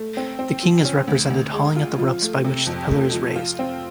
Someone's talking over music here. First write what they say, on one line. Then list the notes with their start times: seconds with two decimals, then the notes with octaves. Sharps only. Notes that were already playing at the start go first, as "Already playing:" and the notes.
The king is represented hauling at the ropes by which the pillar is raised.
Already playing: A3
0.17 C4
0.39 C4
0.63 F3
0.85 C#4
1.07 D2
1.30 D2
1.53 G#3
1.76 F4
1.98 F3
2.22 A3
2.45 C3
2.67 F2
2.89 A3
3.13 F3
3.36 F4
3.59 C4